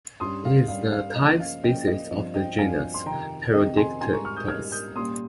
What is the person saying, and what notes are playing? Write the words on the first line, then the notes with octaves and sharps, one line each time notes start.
It is the type species of the genus "Perodictitus".
G2 G3 C#4 C6 D#6
F5
G2 G3 C#4 F5
F5
C#3 F3 A#3 C#4 D#5
F5
C#3 F3 A#3 C#4 D#5 G5
D#5
G2 F3 C4 D#5
D#5 G5
G2 F3 C4 F5 G#5
C6
F2 C3 D#3 G5 A#5
F2 C3 D#3 D#5 G5
G#5 C6
G#2 G3 C#4 G#5 C6
A#5 C#6
C#6 F6
D#6 G6
G#2 G3 C#4 F6 G#6
D#6 G6
A#2 G3 A#3 C#4 C6 D#6